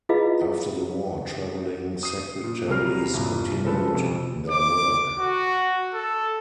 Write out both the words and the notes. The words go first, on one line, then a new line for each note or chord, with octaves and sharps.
After the war, travelling secretaries continued their work.
E4 F4 G#4 B4 D#5 F5
D#6 C7
A#2
C2 F#3 G3 A#4 F6 C7
C2 G2 A#2
C#3 F3 G#3 A4 B4
F1 F2
D6
F#4
A4